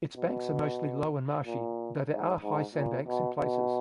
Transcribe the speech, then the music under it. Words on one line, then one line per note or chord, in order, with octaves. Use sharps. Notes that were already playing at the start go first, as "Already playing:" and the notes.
Its banks are mostly low and marshy, though there are high sandbanks in places.
B2
A#2
G#2
G#2
A#2
B2
B2